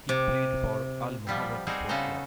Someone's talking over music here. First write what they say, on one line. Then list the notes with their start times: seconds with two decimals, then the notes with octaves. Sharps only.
He played for Al-Muharraq Sports Club.
0.09 C3
1.27 F3 G3 B3 C4
1.67 G3 C4 D#4 F#4 G#4
1.89 C#3 B3 A4 C5 A#5